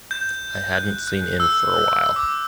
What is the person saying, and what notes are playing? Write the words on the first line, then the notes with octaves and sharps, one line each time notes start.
I hadn’t seen in for a while.
G6
F#6
F#6
E6
E6
D6